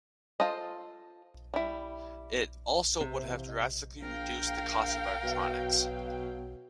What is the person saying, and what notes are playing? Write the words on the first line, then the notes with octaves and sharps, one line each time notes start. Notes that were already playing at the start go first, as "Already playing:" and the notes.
It also would have drastically reduced the cost of electronics.
F4 A4 C5 D#5
G3 E4
C3
C5 E5 G5
E3 F5
D#5
A#1 A#4 F5 G5
B2 F#3